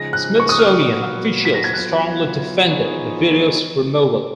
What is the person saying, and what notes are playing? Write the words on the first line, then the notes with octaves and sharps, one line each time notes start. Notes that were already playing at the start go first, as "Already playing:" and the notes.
Smithsonian officials strongly defended the video's removal.
Already playing: C#3 F3 G#3 D#4 G#4 A#6
F#6
C#6
D#6
F6
A#2 F#3 B3 F#4
B6
A#6
G#6
F#3 B3 F4 F#6
F3 B3 D#4 G#4 C#5